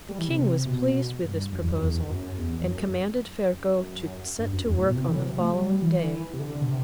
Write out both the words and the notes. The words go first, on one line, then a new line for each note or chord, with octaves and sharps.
The King was pleased with this proposal, and commanded Ferko to set to work on the following day.
G3
E3
C3
B2
G2
F#2
E2
F#2
E2
F#2
E2
E2
F#2
F#2
G2
F#2
E2
A2
B2
C3
E3
F#3
C3
A3
G3
E3
C3
D3
B2
C3